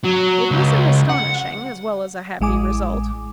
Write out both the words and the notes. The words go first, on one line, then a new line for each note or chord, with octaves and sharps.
It was an astonishing as well as a happy result.
F#3
C#2
F#5
A1 G#3 G#5 D6